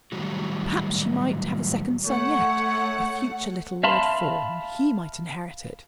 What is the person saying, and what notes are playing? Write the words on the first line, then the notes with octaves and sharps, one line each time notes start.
Perhaps she might have a second son yet,--a future little Lord Fawn, and he might inherit it.
A2 D#3 F#3 G3 F#4
A3 C#5 F#5
E5 F5 A5 B5 C6